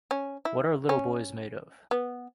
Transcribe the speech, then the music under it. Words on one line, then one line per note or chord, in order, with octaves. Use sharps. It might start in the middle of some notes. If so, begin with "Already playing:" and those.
What Are Little Boys Made Of?
C#4
E4
C#4
B3